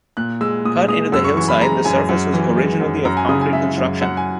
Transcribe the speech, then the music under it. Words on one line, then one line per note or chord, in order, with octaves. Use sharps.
Cut into the hillside, the surface was originally of concrete construction.
A#2 F#6
G#3 E6
A#2 D#6
G#3 D#6
F#2 E6
C#6
E3 C#6
B5
G#3 A#5
F#2 G#5
F#2
E3
G#3
F#2
F#2 A#5
G#5
C#3 D#6
G#5
G#3 E5
F#2
F#2 F#5
G#5